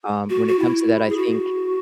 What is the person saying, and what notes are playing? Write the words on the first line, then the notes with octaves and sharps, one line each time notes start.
um, when it comes to that, I think
F#4
F#4
E4
G#4
F#4